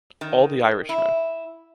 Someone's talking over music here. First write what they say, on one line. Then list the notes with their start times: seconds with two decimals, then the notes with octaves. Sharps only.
All the Irishmen.
0.21 D#3
0.89 E4